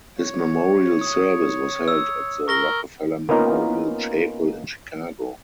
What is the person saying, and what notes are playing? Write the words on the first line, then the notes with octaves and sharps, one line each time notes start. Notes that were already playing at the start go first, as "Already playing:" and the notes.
His memorial service was held at the Rockefeller Memorial Chapel in Chicago.
C#5
D#6
E6
A#4 C#6 A#6 G7
A#3 B3 C#4 D#4 F4 A#4